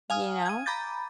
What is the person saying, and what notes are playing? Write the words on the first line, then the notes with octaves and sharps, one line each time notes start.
You know?
F5 G#5 D#6 F6
G#6 D#7
A#5 B5 D6 G6 A6